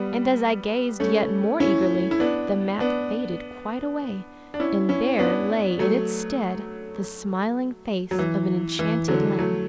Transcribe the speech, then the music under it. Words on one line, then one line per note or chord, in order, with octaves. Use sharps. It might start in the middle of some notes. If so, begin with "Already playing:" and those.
And as I gazed yet more eagerly the map faded quite away, and there lay in its stead the smiling face of an enchanted land.
Already playing: G3 B3
A3 C#4
C#4 E4
E4
B3 D4
B3 D4
D4
C#4 E4
C#4 E4
B3 D4
F#3 A3
F#3
E3
E3
D3 F#3
F#3 A3